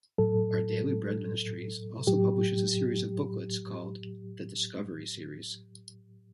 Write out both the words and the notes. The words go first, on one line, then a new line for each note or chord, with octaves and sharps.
Our Daily Bread Ministries also publishes a series of booklets called "The Discovery Series".
A2 F#3 A4
A2 F#3 G4